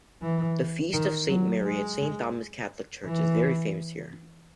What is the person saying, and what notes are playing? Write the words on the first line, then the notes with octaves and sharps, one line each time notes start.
The Feast of Saint Mary at Saint Thomas Catholic Church is very famous here.
E3
D#3
F#3
G#3
E3